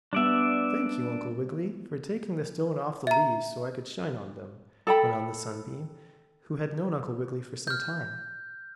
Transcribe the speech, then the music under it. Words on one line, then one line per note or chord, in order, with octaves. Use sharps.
"Thank you, Uncle Wiggily, for taking the stone off the leaves so I could shine on them," went on the sunbeam, who had known Uncle Wiggily for some time.
G3 B3 D4 D5 E5
E5 A#5
A4 G5 B5
F6 G6